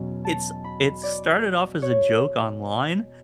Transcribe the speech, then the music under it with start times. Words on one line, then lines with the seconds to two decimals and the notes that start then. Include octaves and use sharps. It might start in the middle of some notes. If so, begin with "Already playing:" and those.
It s it started off as a joke online,
Already playing: E2 B2 F#3 C#4
0.25 A5
0.64 B5
1.03 D5
1.82 C#5